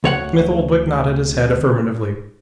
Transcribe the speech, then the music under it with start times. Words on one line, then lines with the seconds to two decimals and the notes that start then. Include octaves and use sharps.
Smith-Oldwick nodded his head affirmatively.
0.04 D2 C#5 F#5